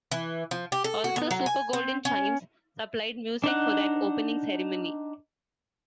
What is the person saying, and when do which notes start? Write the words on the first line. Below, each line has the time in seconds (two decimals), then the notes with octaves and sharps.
Also Super Golden Chimes supplied music for that opening ceremony.
0.11 E3
0.51 F3
0.72 G4
0.84 A4
1.04 F#4
1.16 B3
1.31 F#3
1.46 G#5
1.73 C4
2.05 C#4
3.44 D4 D#4 F#5